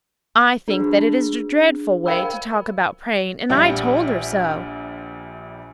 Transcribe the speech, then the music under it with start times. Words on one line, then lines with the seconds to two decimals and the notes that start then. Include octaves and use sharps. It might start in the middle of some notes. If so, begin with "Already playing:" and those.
I think that is a dreadful way to talk about praying and I told her so.
0.68 D4 G#4
2.06 A#4 C5 F5 G5 B5 E6
3.50 A#1 G3 E5 F#5